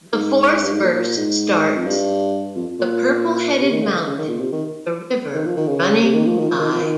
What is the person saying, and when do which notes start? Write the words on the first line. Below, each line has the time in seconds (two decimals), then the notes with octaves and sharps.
The fourth verse starts "The purple headed mountain, the river running by".
0.12 G#2
0.62 G2
0.72 G#2
0.82 A#2
1.16 G#2
1.77 F2
1.87 G2
2.55 F2
2.79 A#2
3.60 C3
3.72 D#3
3.83 C#3
4.06 C#3
4.18 D#3
4.29 A#2
4.41 C3
4.53 D#3
5.34 D#3
5.45 F3
5.57 D#3
5.68 C#3
6.03 C3
6.14 D#3
6.26 F3
6.38 D#3
6.49 F3
6.59 D#3
6.71 F3
6.82 D#3